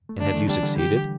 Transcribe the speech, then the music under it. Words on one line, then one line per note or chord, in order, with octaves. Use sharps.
"And have you succeeded?"
A3
D3 G3 D4
E3 A3
D3 G3 D4
E3
D3 G3
G4